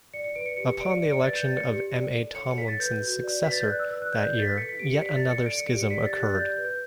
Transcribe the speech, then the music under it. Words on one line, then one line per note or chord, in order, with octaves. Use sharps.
Upon the election of M. A. Tomlinson's successor that year, yet another schism occurred.
D5 C#7
C#7
B4 D7
C#7
G4 C#7
C#7
D5 D7
C#7
D5 D7
C#7
B4 A6
G6
D5 A6
C#7
G4 C#7
D5
A4
C#5 C#7
C#7
A4 B6
A6
B4 G6
F#4
D5
B4 B6
A6
G6
D5 F#6
E6
B4 E6
F#6
D5 G6
G6
A4 A6
B6
B6
B4 C#7
B6
G4 D7
C#7
D5 B6
A6
A4
C#7
D5 D7
C#7
G4 D7
C#7
D5 B6
A6
G4
F#6
A6
D5 G6
G6
B4
G6